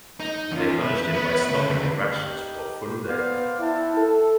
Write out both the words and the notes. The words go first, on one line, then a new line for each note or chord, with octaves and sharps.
They punished him by stopping his rations for a full day.
D#4
E2 C#4 F4
B4 E5
B3
D2 C#3
D#4 G4
B3 C5 D5 F5
E4 F#5 G5 A5
A4